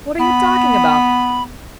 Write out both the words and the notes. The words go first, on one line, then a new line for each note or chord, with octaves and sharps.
What are you talking about?
B3 B5